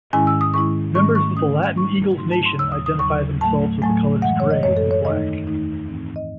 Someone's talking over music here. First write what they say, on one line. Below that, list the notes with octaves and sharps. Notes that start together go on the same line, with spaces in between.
Members of the Latin Eagles Nation identify themselves with the colors grey and black.
G#2 D#3 G#3 C#4 E4 G#5
E6
D#6
G#2 D#3 G#3 C#4 E4 C#6
G#2 D#3 A3 C#4 C#6
C#6
G#2 D#3 A3 C#4 D#6
G#2 F#3 A3 D#4 C#6
G#2 F#3 A3 D#4 C6
A5
C6
D#2 C#3 F#3 E6
D#6
D#6
D#2 C#3 F#3 C#6
A2 F#3 A3 A5
A2 F#3 A3 G#5
F#2 E3 G#3 F#5
C#5
D#5
F#2 E3 G#3 C#5
A4
C#5
E2 D#3 A3 D#4 D#5
E2 D#3 A3 D#4
G#2 E3 C4 D#4
D#5